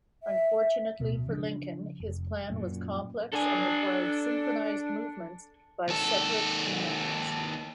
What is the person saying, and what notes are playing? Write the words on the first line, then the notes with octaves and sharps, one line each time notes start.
Unfortunately for Lincoln, his plan was complex and required synchronized movements by separate commands.
E5
D1 B2
C#3 F3 A#3 D4
F1
F#2 A#2
D4 A4 G#5
D#2 A4